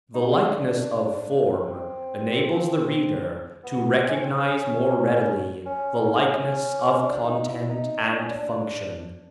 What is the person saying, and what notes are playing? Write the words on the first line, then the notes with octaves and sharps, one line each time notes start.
The likeness of form enables the reader to recognize more readily the likeness of content and function.
D#4
D4
C4
B3
C4
C#4
C4
C#4
C#4
C#4
D4
D#4
E4
D#4
D#4
D4
C#4
D4
D4